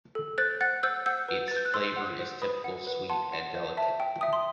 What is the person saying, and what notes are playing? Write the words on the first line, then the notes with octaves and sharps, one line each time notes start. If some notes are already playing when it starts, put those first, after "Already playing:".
Its flavor is typical, sweet and delicate.
A4
C5 F#6 A6
F#5 F#6 A6
C5 E6 G6
F#5 E6 G6
B4
B4 A6
G6
F#6
C5 C6 E6
F#5
C5
B4 B5 D#6
F#5
B4
F#5 A5 C6
F#5
C5
E5 A5
G5
E5 D#6
C6